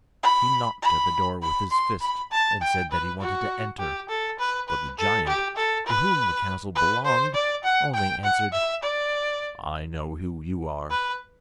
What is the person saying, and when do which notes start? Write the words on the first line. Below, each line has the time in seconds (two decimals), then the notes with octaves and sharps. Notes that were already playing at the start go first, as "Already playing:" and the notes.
He knocked at the door with his fist, and said that he wanted to enter; but the giant, to whom the castle belonged, only answered: 'I know who you are.
0.23 B5
0.83 B5
1.42 B5
1.72 C6
2.01 B5
2.32 A5
2.62 G5
2.91 B4
3.20 F#4
3.79 G4
4.09 A4
4.39 B4
4.68 B4
4.99 A4
5.27 G4
5.57 A4
5.87 B4
6.75 B4
7.05 C5
7.34 D5
7.64 F#5
7.94 G5
8.24 F#5
8.53 E5
8.83 D5
10.90 B4